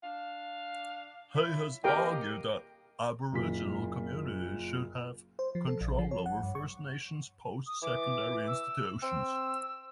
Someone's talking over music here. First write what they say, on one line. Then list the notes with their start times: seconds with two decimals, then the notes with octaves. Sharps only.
He has argued that aboriginal communities should have control over First Nations post-secondary institutions.
0.04 D4 F5
1.36 E4 F4 C#5
1.84 D#2 G4 A#4 D#5 F5 G5
3.32 F#1 A#2 B6
5.39 C5
5.55 F3
5.67 A4
5.81 A#1
5.99 F3
6.11 C#5
6.26 F#5
6.43 G2
6.55 C#6
7.67 D#6
7.82 E3 D6
8.48 E6
9.02 C4 E6